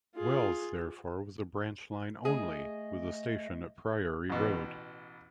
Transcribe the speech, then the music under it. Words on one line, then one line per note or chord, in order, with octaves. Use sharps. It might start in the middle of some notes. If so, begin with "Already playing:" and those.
Wells therefore was a branch line only, with the station at Priory Road.
F4 G#4
A3 G#4 D#5
A1 B2